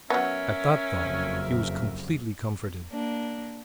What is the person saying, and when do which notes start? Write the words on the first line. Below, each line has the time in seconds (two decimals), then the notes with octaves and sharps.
At that thought he was completely comforted.
0.10 F#3 B3 C#4 A#4 E5
1.00 F#1 F2
2.88 A#3 D4